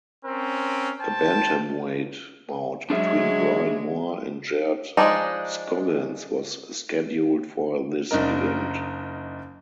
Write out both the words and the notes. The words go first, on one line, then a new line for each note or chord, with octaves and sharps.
A bantamweight bout between Brian Moore and Jared Scoggins was scheduled for this event.
C4 C#4 A#4
C5 G5 A5
F#3 G#3 D4 G#4 E5
F3 G#3 B3 D4 D#4
F#1 D4 D#4 A#4